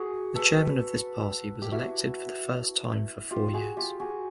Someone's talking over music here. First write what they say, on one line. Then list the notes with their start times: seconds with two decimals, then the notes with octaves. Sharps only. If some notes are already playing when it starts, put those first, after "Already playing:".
The chairman of this party was elected for the first time for four years.
Already playing: F#4 G#4
0.35 A4 B4
1.62 G4
1.72 E4 F#4
3.31 F4 G4
3.54 F#4 G#4
3.77 F4 G4
4.00 F#4 G#4